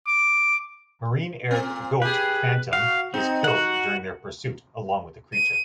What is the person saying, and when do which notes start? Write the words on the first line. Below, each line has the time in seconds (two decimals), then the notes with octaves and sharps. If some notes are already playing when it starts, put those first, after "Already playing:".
Marine Eric "Goat" Fantom is killed during their pursuit, along with the creature.
0.07 D6
1.51 A#2 C4
2.02 G4 G#4 B4
2.73 F#4 F5
3.14 C4 D#4
3.44 F#4 F#5
5.33 D#7